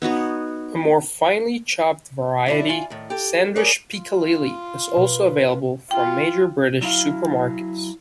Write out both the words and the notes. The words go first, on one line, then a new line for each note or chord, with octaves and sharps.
A more finely chopped variety "sandwich piccalilli" is also available from major British supermarkets.
B3 D#4 F#4 C#5
F#3 D4 E4
F4 G#5
A2 D#3
G4 A4
G#4 A#4 C#5 D5
F4
B2 B4
F4 G5
F#3 E4 F5